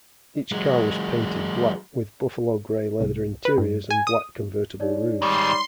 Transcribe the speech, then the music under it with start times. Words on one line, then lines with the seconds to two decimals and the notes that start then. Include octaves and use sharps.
Each car was painted black, with buffalo grey leather interiors and black convertible roofs.
0.52 F#3 G#3
3.00 C2
3.45 B4
3.58 G2
3.91 G#5
4.07 D#6
4.80 D#4 C#5 D5
5.22 G#2 D#3 G3 C6